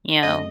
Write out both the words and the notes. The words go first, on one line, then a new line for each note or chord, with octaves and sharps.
you know?
F#2 C#3 F#3 A3 C4 D#5